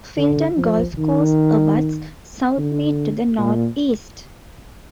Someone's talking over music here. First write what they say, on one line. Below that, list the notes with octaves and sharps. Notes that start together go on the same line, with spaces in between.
Filton Golf Course abutts Southmead to the North East.
D3
F3
D#3
D3
A#2